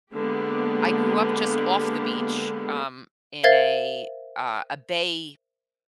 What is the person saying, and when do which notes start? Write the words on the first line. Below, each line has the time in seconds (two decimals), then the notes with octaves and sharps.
I grew up just off the beach, um, in a, uh, a bay
0.13 D3 G#3 A#3 B3 G4
3.44 A#4 C5 E5 F5 G#6 A6